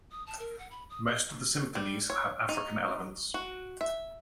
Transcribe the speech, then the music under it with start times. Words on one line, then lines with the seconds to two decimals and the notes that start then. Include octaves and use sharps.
Most of the symphonies have African elements.
0.11 D#6
0.27 A5
0.39 A#4
0.59 F#5
0.71 B5
0.90 D#6
1.07 D#5
1.75 G3
2.10 C#5
2.49 D#4
3.34 F#4
3.81 E5